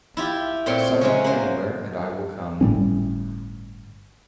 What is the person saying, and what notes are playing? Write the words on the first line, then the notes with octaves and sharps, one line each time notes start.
Summon me anywhere, and I will come.
E4 F4 G4
A#2 A3 C4 C#5 C6
F#3 G#3 C#4
A#3 C5
G1 A2 G3 C#4